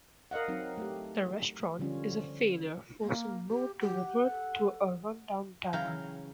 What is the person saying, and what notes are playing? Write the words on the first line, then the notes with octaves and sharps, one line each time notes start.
The restaurant is a failure, forcing Moe to revert to a run-down tavern.
A#4 D#5 F5 F#5
F#3 C4 D#4
A3 G4
D3 F3 G3 C#4 F4
A#3
G4
G4 F#5
A4
C#3 E3 F#3 F5 G5 A#5